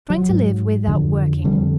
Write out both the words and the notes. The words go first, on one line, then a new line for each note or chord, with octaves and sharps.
Trying to live without working.
F#3
G#2
F2 D3
F2 D3 G3